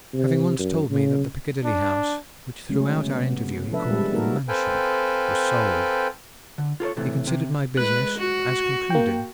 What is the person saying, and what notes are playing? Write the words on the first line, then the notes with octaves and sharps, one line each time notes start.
Having once told me that the Piccadilly house--which throughout our interview he called a "mansion"--was sold, he considered my business as concluded.
C3
F#2
C#3
D4
C#3 F#3 G#3 A3 C#4
C3 B3
F3 D4 A4 B4 E5
G3 G#3
A#3 D#4 F#4 A4 A#4
C4 A4 B4 F5 G5 G#5
D3
F4 A4 A#4 C#5
A2 C3 E3 A3
C3
G#3 B4 F#6
F#4
A#3 G5